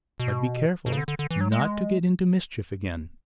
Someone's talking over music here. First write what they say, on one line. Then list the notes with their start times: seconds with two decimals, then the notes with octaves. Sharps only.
"But be careful not to get into mischief again."
0.20 B2
0.86 B2
0.92 C#3
0.98 D3
1.08 D3
1.19 D3
1.31 E3
1.41 F#3
1.52 G#3